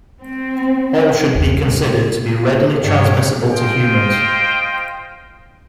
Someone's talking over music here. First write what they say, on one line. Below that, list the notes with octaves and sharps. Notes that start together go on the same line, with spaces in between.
All should be considered to be readily transmissible to humans.
C4
E2
D#2
G2 D#3 C#5 G5
F4 C5 D#5 G5